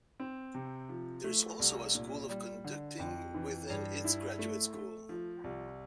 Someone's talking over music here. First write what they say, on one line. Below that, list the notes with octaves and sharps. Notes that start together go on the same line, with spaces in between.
There is also a School of Conducting within its Graduate School.
C4
C3
F3
A3
C2
A#2
G3
D3
F2
E3
G2
E4
A3
A3
F3
C2